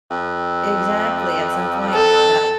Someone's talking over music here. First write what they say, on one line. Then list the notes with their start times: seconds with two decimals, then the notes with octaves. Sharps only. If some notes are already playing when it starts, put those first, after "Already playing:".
exactly, at some point that
0.11 F2
1.93 A4